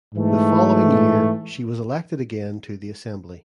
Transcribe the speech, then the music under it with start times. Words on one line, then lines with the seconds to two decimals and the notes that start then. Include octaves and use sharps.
The following year she was elected again to the Assembly.
0.15 G#2 E3 A3